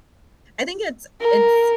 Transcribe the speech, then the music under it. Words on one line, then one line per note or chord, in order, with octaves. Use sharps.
I think it's and s
A#4